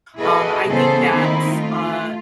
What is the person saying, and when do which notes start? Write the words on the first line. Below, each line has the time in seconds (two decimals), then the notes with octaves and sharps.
Um, I think that's uh,
0.19 E4 F#4 G#4 A4 B4 D#5
0.69 C#3 E3 B3 G#4 A4 C5
1.13 D#3 A#3 C4 D#4 E4
1.49 A3 F4